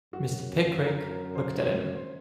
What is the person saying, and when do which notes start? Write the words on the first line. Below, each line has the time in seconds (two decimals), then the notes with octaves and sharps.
Mr. Pickwick looked at him.
0.13 F#2 F#4
0.86 A#4
1.11 A#4
1.35 C5
1.59 F#2 C#5
1.95 C5